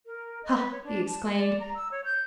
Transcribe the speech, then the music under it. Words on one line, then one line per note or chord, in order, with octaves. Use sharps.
"Huh!" he exclaimed.
A#4
D#5
B4
C#5
D4
A5
D#5
D5
A#5
E6
C#5
G6